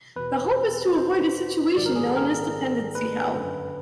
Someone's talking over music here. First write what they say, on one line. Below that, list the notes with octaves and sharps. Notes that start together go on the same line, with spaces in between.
The hope is to avoid a situation known as dependency hell.
E2 B2 B4
C5
A#1 G#2 D#3 D5
A#4
G#4
A4
A#4
B4
G1 F#2 D3